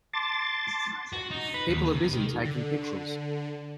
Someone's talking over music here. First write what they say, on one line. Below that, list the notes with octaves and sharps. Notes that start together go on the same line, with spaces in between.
People are busy taking pictures.
A5 C6 D6 A6
F#4
D#4
B4
D#2
C3
D#3
D3